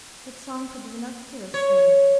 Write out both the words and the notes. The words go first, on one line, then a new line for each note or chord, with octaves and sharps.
What song could the Ranunculus sing?
C#5